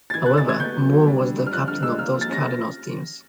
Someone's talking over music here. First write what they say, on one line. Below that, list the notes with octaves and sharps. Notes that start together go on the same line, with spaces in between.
However, Moore was the captain of those Cardinals teams.
A6
E3 G#6
F#6
C#3
A6
A3 G#6
B3 G6
F#3
B2
G3
D3
G2
F6
F3 F#6
D3 F6
G#3 E6
A#3 F6
F3
A6
C#4 A#6